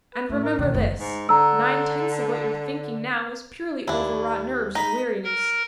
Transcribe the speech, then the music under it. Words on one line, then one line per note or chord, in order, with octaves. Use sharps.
And remember this--nine-tenths of what you're thinking now is purely over-wrought nerves and weariness.
B4
A2 A3
A#4
E2 B2 D#3
F#1 A3
G#2
D3 A#5 E6
D#2 D4 E4
D#4 D#5 B5
A#4